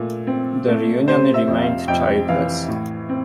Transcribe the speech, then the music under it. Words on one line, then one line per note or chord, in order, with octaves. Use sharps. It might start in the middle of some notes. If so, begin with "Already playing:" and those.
Their union remained childless.
Already playing: A#2 A3
C4
A3
C3 C5
E5
F2
F5
F2 G5
E3 F5
A2
C4